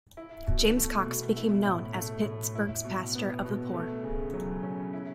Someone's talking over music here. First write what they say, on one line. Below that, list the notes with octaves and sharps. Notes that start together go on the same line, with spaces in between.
James Cox became known as Pittsburgh's "Pastor of the Poor".
E4
B2
A3
B2
E4
A2
A3
A2
E4
B2
B3
B2
A3
C#3
F#3
C#4
E4